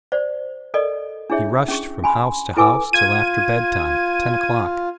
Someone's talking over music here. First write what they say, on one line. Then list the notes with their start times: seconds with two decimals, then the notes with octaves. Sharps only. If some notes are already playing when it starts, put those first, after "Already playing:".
He rushed from house to house till after bedtime--ten o'clock.
0.12 C5 D5
0.74 A4 A#4 D5 D#5
1.30 D4 E4 G#4 C#5 E5
1.68 C#4 G#4 C#6
2.04 G#5 B5 C6
2.57 E4 A4 B4 G#5 D6 E6
2.93 F4 G#6 D#7